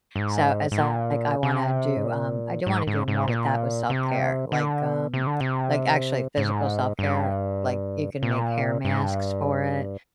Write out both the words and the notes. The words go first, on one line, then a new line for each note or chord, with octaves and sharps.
so as I like, I wanna do, um I do wanna do more with that with self-care, like, um, like actually physical self-care, like, you can make hair masks for it,
G2
G#2
G#2
A#2
C3
G#2
A#2
G#2
G#2
G#2
A#2
C3
D3
C3
D3
C3
G#2
G2
A#2
G2
G#2
G2